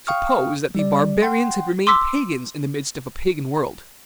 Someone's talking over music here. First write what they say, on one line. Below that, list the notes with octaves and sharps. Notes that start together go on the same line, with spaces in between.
Suppose that the Barbarians had remained Pagans in the midst of a Pagan world.
F5 G5 C#6 D#6 F6
G3 D5
F#5 G5 C6
C6 D6 E6 B6